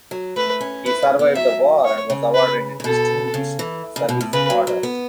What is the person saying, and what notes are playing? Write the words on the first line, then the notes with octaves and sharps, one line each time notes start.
He survived the war and was awarded a Distinguished Service Order.
F#3
A3 B4
C#4
E4 B4
C#4
B3
F#3 E5
C#5
C#3
B4
C#3
B2 A4
C#3
E3
C#3
B2
A2
C#3 B4
F#3
F#3
B3